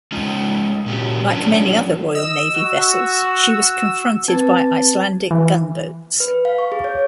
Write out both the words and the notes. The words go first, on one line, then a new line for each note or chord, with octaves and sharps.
Like many other Royal Navy vessels, she was confronted by Icelandic gunboats.
G#3 C#4 D#4 F4
A#2 C#4 F#4 G4
F#3 C#4 D4 F4
D#5 E6
F#4
C4 B4 A5 G#6 A6
E3
B4
F5
C#6
G#4
C#5